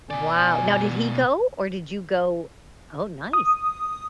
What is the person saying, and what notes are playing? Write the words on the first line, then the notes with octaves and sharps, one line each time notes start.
Wow, now did he go or did you go? Oh, nice.
B2 D5 G#5
D#6